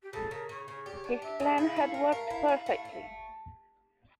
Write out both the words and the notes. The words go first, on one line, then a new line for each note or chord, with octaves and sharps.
His plan had worked perfectly.
G4
C#3 A4
C#3 A#4
C#3 C#5
C#3 C#5
G4 D5
C#5
D4 D5
G4 E5
C#3
E4 F5
A3
A#4
A#4
E4
E4
A3
A3